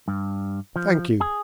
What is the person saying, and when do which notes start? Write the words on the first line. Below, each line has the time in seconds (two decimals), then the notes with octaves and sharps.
"Thank you."
0.08 G2
0.76 F3
1.21 G#4